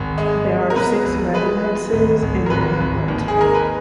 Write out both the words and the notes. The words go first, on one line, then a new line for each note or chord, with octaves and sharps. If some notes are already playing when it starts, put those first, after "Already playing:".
There are six residences in the hamlet.
Already playing: G#1
G#3
G#3
A#4
B2 B4
E1
G#3 B4
G#3
G#1
G#1
A#4
G#1 B4
G#1
D#2
G#4
G#3 A#4
B4